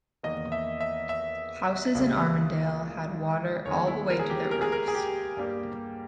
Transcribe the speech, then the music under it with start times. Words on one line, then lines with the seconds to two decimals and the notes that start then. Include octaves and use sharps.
Houses in Armourdale had water all the way to their roofs.
0.23 E2 D#3 A#3 D#5
0.52 E5
0.81 E5
1.09 E5
1.95 C#2 C#3 G3 A#3
3.65 D#2 D#3 G#3 B3 C#5
3.87 E4
4.10 A#4
4.19 G#4
4.30 G4
4.51 A#4
4.61 G#4
4.72 A#4
4.88 G#4
4.94 G4
5.37 G2 G3 A#3